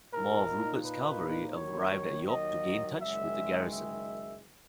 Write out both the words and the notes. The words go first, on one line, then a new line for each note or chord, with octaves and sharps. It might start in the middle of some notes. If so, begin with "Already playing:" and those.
More of Rupert's cavalry arrived at York to gain touch with the garrison.
A#2 A#3 D#4 A#4
B4
D#2 D#3 F#3 C#5
D#5
F#1 F#2 D#3 G#3 E5
E5